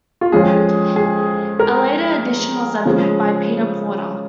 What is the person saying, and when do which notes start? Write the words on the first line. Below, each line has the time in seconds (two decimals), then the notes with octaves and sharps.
A later edition was edited by Peter Porter.
0.21 F4
0.32 F2 F3 G#3 C#4 G#4
0.96 G#4
1.59 A#4
2.86 C#3 F3 G#3 C#4